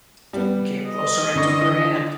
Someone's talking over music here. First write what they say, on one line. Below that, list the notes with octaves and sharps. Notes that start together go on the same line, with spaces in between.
He came closer and took her hand.
G3 B3
D#5
D3 D4 C#6